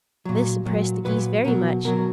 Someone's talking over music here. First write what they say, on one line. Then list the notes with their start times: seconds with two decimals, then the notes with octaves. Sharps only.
This impressed the Geese very much.
0.25 A#2 F#3
0.65 A#2 F#3
1.05 A#2 F#3 B4
1.44 B2 F#3 A#4
1.84 B2 F#3 A#4